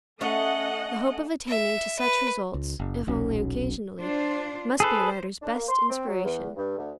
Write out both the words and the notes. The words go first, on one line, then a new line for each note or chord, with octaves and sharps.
The hope of attaining to such results, if only occasionally, must be a writer's best inspiration.
A3 C#4 A4 D#5 F#5
E5
B4
C#2
F#1
D#1 B1 F#3 C#4
D4 F4 C5
G#4 A4 B4 C5
D4
A#3
C6
C4
F#3
E2
G2
D2